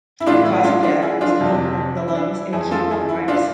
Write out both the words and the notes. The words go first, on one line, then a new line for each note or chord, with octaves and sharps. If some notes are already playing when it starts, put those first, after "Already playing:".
The cause of death was edema in the lungs and acute bronchitis.
E4
A2 E3 D4 F4
E4
D4 F4
D4 F4
E4 G#4
D4 F4
F2 C3 E3
E4
E4
D4
E4
F2 E3 E4 G#4
F4 A4
E4 G#4
E4
D4 F4